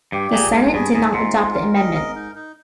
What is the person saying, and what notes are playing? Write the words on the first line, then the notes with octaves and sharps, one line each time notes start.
The Senate did not adopt the amendment.
G2 G4
A#2 G#4
G#2 G#3
G2 G#4
G#2 G#4
G#2 F4
F4
A#4
D#5
A#4
D#4
D#4